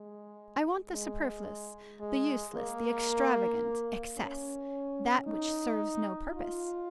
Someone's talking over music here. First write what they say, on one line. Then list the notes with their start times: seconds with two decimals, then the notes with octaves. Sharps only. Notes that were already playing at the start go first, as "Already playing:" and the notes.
I want the superfluous, the useless, the extravagant, excess, that which serves no purpose.
Already playing: G#3
0.91 G#3
2.00 G#3
2.54 A#3
4.18 C#4
5.26 D#4
6.35 F4